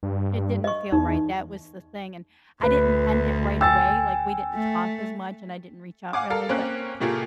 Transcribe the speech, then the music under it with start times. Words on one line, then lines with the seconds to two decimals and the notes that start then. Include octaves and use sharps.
It didn't feel right, that was the thing, and, I didn't end it right away, like, we didn't talk as much, and I didn't reach out really, but,
0.03 G2
0.64 D#5 C#6
0.92 E2 D#4
2.63 D2 B4
3.61 G5 G#5 E6 A6
4.55 A3
6.13 F5 F#5 G#5 D6
6.30 A4 A#4 F5
6.49 A#3 C4 C#4 F#6
7.00 A2 C3 A3 A#3 F4 G#4